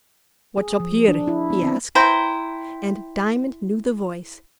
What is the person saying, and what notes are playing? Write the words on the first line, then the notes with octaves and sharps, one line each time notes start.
"What's up here?" he asked, and Diamond knew the voice.
G#4
F3
D4
E4
B3
C4
E4 C5 G5 A#5